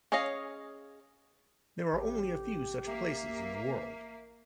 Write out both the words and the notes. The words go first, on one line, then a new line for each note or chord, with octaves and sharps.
There are only a few such places in the world.
C#4 G#4 C#5 D#5 F5
A1 G4
A#3 E5